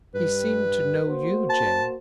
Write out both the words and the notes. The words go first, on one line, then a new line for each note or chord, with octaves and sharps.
He seemed to know you, Jane.
G2 B4
A#3 F#4 C5
A5